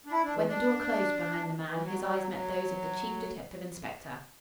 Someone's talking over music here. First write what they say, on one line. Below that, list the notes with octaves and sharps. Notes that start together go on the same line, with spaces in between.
When the door closed behind the man, his eyes met those of the chief detective-inspector.
D4
E4
D4
E3
D4
E3
F#3
G3
F#3
F#3